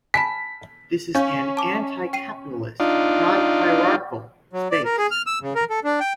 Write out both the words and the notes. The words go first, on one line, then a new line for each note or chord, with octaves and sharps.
This is an anti-capitalist, non-hierarchical space.
G#5 A5 B5 B6
C#4 F5 G6
A5 D6
G5 C7 D#7
D4 D#4 F4
F#3
D5
A#4
G#4
F6
E6
C#3
A#4
A4
D4
G5